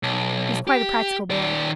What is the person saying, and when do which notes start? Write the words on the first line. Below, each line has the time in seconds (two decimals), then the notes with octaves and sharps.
He was quite a practical boy.
0.03 B1
0.67 G4
1.31 D#3 D5